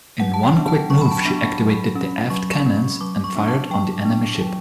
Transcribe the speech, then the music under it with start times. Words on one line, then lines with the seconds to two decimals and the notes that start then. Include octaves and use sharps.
In one quick move, she activated the aft cannons and fired on the enemy ship.
0.20 F#3 F#5
0.34 A5
0.44 G5
0.56 B3 D4
0.68 A5
0.90 F#3 C#6
1.01 B5
1.11 A5
1.22 B3 D4 B5
1.60 F#3
1.95 C#4
2.30 F#3 C#6
2.66 C#4
3.01 F#3 D6
3.24 C#6
3.35 B3 D4
3.48 A5
3.70 F#3 G5
4.05 B3 D4
4.41 F#3